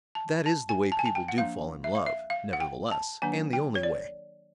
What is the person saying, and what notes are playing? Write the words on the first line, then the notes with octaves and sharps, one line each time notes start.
That is the way people do fall in love, nevertheless, and the only way.
A5
A5
G#5
A5
G#5
A5
G5
F#5
F3 A#3 D4 F5
E5
F5
E5
F5
F#5
G5
A5
D#3 F#3 A#3 D4 G#5
G5
C#5
D5